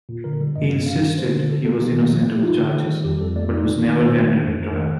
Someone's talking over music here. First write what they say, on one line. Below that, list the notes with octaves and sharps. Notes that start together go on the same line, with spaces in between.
He insisted he was innocent of the charges, but was never granted a trial.
A#2
D3 A#4
G3
G2 D#5
G2
G3 F5
D4
D3 C5
D3
G3 A4
A#3 A4
D#3 G4
D#3
F3
A3
G4
D#4 F4
D3
D#3
G3
F2 G4
F2 A4
A3 D5
D#4
D#3
D#3
D#3 C5
A#3
D4
F2
D#3 A#4
A3